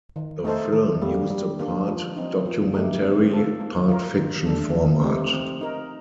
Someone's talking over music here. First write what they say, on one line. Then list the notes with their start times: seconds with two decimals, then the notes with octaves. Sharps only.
The film used a part-documentary, part-fiction format.
0.16 D#3
0.44 A3 D#4 A4 C5
0.72 D#3
1.02 G3 A#3
1.30 G3
1.60 A#3 D4
1.88 F3
2.17 C4 D#4
2.46 F3
2.74 A3 D#4 G4
3.03 C4
3.31 F4 A4 C5
3.60 A#3
3.89 F4 A#4
4.17 D#3
4.46 A3 D4 A4
4.75 F3
5.03 A3 C4 D#4 G4
5.33 C4
5.61 D#4 A#4